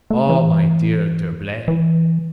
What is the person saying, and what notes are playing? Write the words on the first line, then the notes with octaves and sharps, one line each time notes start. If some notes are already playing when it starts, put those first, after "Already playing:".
"Oh! my dear D'Herblay!"
A3
E3
E3